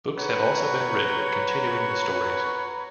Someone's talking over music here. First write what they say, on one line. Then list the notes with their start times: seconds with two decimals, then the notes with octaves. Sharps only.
Books have also been written continuing the stories.
0.17 B4 C#5 F#5 A#5